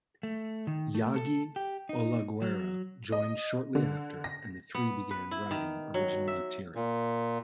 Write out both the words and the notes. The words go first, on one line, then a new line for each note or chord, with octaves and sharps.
Yagi Olaguera joined shortly after and the three began writing original material.
A3
D#3
A3
A4
G4
D#4
F#3
D#5
D3
A#6
B3
B4
E4
D#3
F#3
E5
A#2